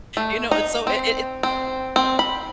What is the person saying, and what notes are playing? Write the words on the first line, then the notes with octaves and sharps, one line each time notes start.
You know, it's so it it
A3
D#4
C4
C4
C4
B5